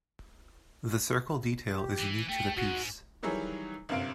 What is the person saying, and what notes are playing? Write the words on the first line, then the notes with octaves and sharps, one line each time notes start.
The circle detail is unique to the piece.
G4
E3
A3 G5
G#2 F#4
D#3 E3 F#3 G3 G#4 C#5
G1 F#2 C3 F5 D7